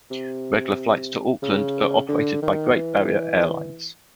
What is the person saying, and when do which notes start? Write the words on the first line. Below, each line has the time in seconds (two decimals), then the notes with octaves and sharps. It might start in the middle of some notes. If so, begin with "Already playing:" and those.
Regular flights to Auckland are operated by Great Barrier Airlines.
0.11 C3
1.42 C#3
2.09 D3
2.42 D#3
2.76 E3